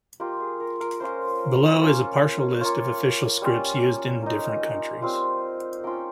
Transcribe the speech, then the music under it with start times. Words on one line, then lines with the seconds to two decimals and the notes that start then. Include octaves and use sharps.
Below is a partial list of official scripts used in different countries.
0.20 A#3 F4 G4
0.40 G#4
0.60 A#4
0.80 A#4
1.00 A#3 C#4 F4 C5
1.81 A#3 C#4 F4
2.61 A#3 F4 C#5
3.42 G3 C#4 F4
4.22 A#3 D#4
5.02 G3 C4 F4
5.83 A#3 C#4 F4 G5